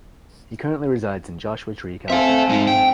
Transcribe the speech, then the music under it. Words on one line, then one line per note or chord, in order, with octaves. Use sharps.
He currently resides in Joshua Tree, California.
C4 A4 E5 F5 G#5
G#3 D#4
G5